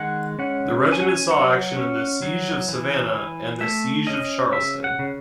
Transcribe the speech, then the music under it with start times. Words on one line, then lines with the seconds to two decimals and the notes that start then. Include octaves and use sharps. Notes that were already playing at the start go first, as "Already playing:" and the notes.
The regiment saw action at the Siege of Savannah and the Siege of Charleston.
Already playing: D#3 G#3 F#5
0.39 C#4 F#5
0.84 C#4
0.92 G#5
1.02 F#5
1.09 G#5
1.31 F#3 F#5
1.77 C#4
2.22 F#3
2.69 E3
3.15 E3
3.61 A3 E5
4.07 C#4 D#5
4.52 C#3 E5
4.84 F#5
4.99 C#3